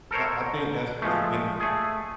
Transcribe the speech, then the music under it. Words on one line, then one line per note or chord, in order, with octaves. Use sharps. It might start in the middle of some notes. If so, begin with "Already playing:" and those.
I I think that's just in
A4 A#4 C5 C#5
F3 G#3 A3
A3 G#4